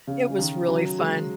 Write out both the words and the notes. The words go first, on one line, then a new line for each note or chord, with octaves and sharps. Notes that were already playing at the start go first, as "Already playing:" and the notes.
It was really fun.
C#3
D#3
F#3
G#3